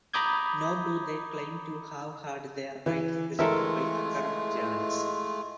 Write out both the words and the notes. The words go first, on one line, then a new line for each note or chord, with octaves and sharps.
Nor do they claim to have had their writings rejected by academic journals.
A#5 B5 D6 D#6 G6 G#6
E3
E3 G#3 A3 F4 A4 A#4 E5